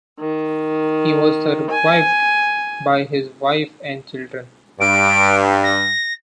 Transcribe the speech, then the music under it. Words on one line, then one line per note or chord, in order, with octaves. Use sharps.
He was survived by his wife and children.
D#3
G#5
G2 D7
A#6